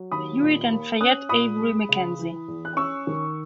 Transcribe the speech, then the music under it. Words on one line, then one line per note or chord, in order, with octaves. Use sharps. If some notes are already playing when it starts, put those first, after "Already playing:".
Hewitt and Fayette Avery McKenzie.
Already playing: F#3
D#2 B5 D#6
A#2
A#3
C#4 D#6 F#6
A#2 B5 D#6
G#3
C#3
E3
E2
F#6
C#4 C#6 E6
D#3